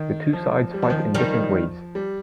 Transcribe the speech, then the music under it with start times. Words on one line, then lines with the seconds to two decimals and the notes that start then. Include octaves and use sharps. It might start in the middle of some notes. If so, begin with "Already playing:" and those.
The two sides fight in different ways.
Already playing: D#3
0.33 F3
0.74 G3
0.82 F3
0.90 D#3
0.98 F3
1.14 D#3 G3
1.95 G3